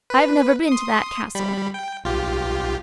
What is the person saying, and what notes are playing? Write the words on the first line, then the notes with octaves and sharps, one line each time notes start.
"I have never been to that castle."
B4
C6 D#6
G3 B5
G5
B1 F4 G4